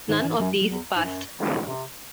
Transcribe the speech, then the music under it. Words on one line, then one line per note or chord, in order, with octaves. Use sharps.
None of these passed.
G#2 D#3
F#2
G#2 E3
F#2 F#3
F#3
E2
G#2
F#2
C3